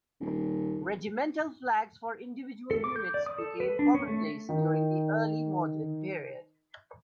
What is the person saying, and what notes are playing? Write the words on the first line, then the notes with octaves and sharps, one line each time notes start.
Regimental flags for individual units became commonplace during the Early Modern period.
D#1
A4
D6
G6
D5
D#6
A4
B4
D4
C#4
A3
D#3 D#4